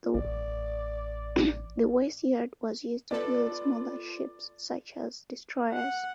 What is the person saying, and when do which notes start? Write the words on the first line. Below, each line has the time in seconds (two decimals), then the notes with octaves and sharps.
The west yard was used to build smaller ships such as destroyers.
0.14 A1 D5
3.11 B3 F4 A4 B4 D5
5.72 F#5